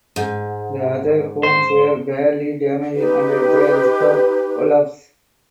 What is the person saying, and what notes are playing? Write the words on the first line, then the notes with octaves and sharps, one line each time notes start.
The other homes were badly damaged and at the risk of collapse.
G#2
C5
D#4 G4 B4